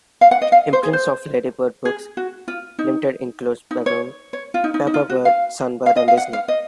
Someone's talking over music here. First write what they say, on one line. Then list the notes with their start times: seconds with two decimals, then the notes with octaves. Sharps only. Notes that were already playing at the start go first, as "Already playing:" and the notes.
Imprints of Ladybird Books Limited included Balloon, Paperbird, Sunbird and Disney.
0.21 F5
0.31 F#5
0.42 D#5
0.52 F5
0.73 C5
0.83 G#4
0.93 C5
1.85 G#4
2.17 F#4
2.48 F4
2.79 D#4
3.71 D#4
3.86 C#5
4.33 C#5
4.54 F4
4.64 D#4
4.74 D#4
4.87 D#4
4.94 F4
5.09 F#4
5.25 F5
5.86 F5
5.96 D#5
6.08 F5
6.17 F#5
6.33 F5
6.48 D#5